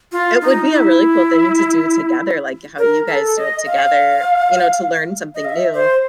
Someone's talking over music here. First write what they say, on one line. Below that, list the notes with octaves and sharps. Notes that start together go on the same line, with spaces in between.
it would be a really cool thing to do together, like, how you guys do it together, you know, to learn something new,
F4
D#4
E4
A#4
A4
D#5
F5
D#5
F5
E5
C5